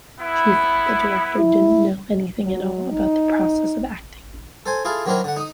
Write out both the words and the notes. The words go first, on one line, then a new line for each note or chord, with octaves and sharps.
She felt the director didn't know anything at all about the process of acting.
B3 E4
E4
F#3
D#4
A4 C5 G#5
E4 F4 G#4 A4 F5
D#3 F#3 C4 D4 E4 A#4
D3 F#5
D#4 D#6